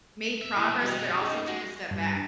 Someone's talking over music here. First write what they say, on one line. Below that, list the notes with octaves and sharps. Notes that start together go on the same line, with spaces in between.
made progress, but also took a step back.
E5
A#2 D3 E3
C2 B2 D#4 A#4
F#2
D#4 G#4
G#3 F#4
G2